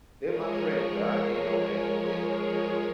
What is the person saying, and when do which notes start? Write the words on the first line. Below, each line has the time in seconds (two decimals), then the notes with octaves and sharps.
They're my friends. I you know, and and
0.23 F3 G#3 G#4 A#4 C#5